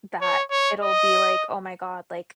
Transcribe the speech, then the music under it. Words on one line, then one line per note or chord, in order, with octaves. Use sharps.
That it'll be like, "Oh my god," like,
C#5
C#5
D#5